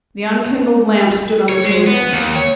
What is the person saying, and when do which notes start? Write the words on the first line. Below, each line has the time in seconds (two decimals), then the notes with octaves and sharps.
The unkindled lamp stood on the table.
1.49 C#5
1.64 G#3
1.87 B3
2.12 D#2
2.36 C#5